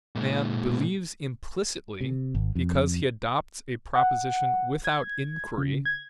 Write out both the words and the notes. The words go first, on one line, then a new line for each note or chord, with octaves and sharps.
A man believes implicitly, because he adopts a proposition without inquiry.
A#2 G#3
C3
G#1
F2
F#5
G#6
C#3
G#6